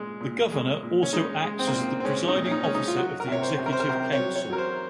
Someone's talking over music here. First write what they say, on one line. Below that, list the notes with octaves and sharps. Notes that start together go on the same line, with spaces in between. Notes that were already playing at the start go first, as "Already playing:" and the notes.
The Governor also acts as the Presiding Officer of the Executive Council.
Already playing: A#2 G#3
A#2
G#3
A#2
C#4
G#3 D#4
G#3
C4
A#3
A#2 C4
C4
G#3 C#4
D#4
A#2
C#4
D#4
G#3 C#4
D#4
F4
F#3 F#4
A#4
C3 C#5
C5
C3
A#4
C5
A#4
C3 C5
C#5
F#3
C#5
F#3 A#4
C5